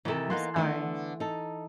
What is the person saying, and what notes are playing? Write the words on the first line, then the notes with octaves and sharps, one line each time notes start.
I'm sorry.
C3 D#3 E3 A4
A#3 B3 D#4 C6 F#6
D3 A3 B3
D#4 A4